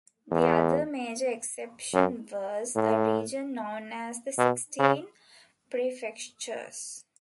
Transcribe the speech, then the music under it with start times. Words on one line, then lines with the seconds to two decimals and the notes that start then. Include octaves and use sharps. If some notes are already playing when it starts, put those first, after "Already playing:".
The other major exception was a region known as the Sixteen Prefectures.
0.31 E2
1.94 F#2
2.75 A2
4.38 B2
4.79 C#3